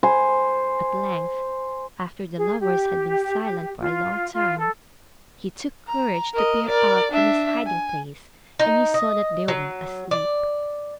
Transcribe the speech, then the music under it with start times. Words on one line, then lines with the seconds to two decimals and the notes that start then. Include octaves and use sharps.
At length, after the lovers had been silent for a long time, he took courage to peer out from his hiding-place, and he saw that they were asleep.
0.03 C5 G#5
2.38 G#4
2.60 G4
3.80 F4
4.33 F4
4.55 A4
5.88 A#5
6.34 A#4 D#5
6.69 A#4 D5
7.12 D4 E5
7.66 G#5
8.59 D#4
8.94 D#5
9.48 F#3
10.11 D5